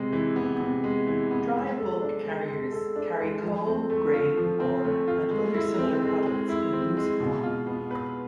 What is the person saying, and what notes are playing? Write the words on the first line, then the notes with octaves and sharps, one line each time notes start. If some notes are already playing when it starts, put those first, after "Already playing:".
Dry bulk carriers carry coal, grain, ore and other similar products in loose form.
Already playing: C3 G#3
E3
B3
C3
G#3
E3
B3
G#3
A4
D4
G#3
G#3
A4
D4
G#3
F3
C4
A3
F4
F3
C4
A3
F4
G#3
E4
C4
G#3
G#3
E4
C4
G#3
B2
F4
B3
B4